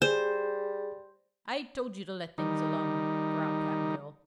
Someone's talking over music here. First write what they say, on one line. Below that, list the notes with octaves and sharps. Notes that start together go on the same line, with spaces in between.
"I told you to let things alone," growled Cap'n Bill.
G3 G#4 C5
D#3 G3 D#4